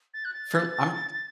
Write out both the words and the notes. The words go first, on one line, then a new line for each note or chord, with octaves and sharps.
for I'm
A6
F#6
A6